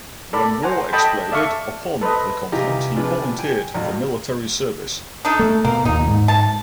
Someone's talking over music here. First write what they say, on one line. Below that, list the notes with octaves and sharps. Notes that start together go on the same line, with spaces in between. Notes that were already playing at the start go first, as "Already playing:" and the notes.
When war exploded upon the continent, he volunteered for military service.
A4 A#4 D5 B5
C5 F#5 G#5 A#5
A4 D5 D#5 G5 A5 B5
A4 D5 E5 F5 A5 C#6
A4 B4 C5 D#5
C2 E3 F4 G4 D#5 A#5
C3 E3 F3 D4 G#4 B4
G5 G#5
A1 F#3 F4
D4 D#4 A4
A3
B2 A#3
D#2 A#2 D#4
G#2
A5